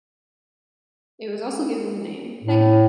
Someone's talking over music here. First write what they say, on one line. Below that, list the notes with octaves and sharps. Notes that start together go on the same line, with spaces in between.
It was also given the name "Peggy".
A2